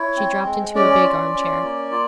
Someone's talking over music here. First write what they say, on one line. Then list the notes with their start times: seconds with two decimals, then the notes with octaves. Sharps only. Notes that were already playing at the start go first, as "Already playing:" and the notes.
She dropped into a big arm-chair.
Already playing: E4 C#5
0.16 C4
0.45 G#3
0.75 C#4 D5
1.04 F4
1.33 C#4
1.63 A#3
1.91 F4